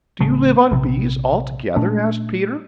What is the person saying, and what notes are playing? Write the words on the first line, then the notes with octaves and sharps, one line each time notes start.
"Do you live on bees altogether?" asked Peter.
A1 C#3 A3
A#1 C3
A#2 A3 C#4 D4